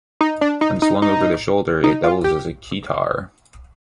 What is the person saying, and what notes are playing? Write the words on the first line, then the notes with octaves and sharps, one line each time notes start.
When slung over the shoulder it doubles as a "keytar".
D#4
D4
D#4
D#4
D#4
D#4
F4
G4